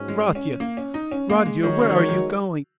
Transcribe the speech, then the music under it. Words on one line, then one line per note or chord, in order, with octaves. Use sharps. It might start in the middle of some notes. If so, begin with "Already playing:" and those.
Rodya, Rodya, where are you going?
Already playing: G#2 F#3 C#4
G#3
C#4
A#3
C#4
D#4
C#4
A#3
G#3
D#3 G#3 D#4 F#4 A#4 C#5
C#3
D#3
D#3
F#3